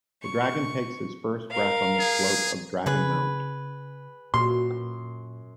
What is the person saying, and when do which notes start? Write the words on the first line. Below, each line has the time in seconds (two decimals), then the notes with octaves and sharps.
The Dragon takes his first breath on the slope of Dragonmount!
0.21 C#6
1.51 A#4 F5
2.00 G#4
2.86 C#3 G#4 B4 B5
4.34 F#2 A#2 C6